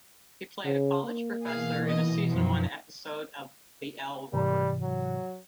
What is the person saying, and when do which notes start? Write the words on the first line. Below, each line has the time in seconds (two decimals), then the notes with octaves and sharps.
He played a college professor in a Season One episode of "The L Word".
0.66 C#3
1.05 A#3
1.43 B2 E3 G#4 F5
1.87 D#5
2.29 F#2 F3 F#3
4.33 G#2 C3 E3 G3
4.82 F#3